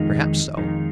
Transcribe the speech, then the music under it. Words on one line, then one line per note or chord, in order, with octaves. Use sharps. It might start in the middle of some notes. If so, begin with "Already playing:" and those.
Perhaps so.
Already playing: F2 D#3 G#3 D#4
F2 D#3 G#3 D#4